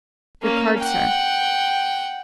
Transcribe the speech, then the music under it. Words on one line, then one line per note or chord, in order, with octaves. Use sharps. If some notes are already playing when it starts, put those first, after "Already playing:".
"Your card, sir."
A#3 C#4
F#5 G5